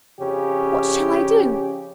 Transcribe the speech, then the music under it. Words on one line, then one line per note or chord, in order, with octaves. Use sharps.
What shall I do?
F2 C#3 C#4 G4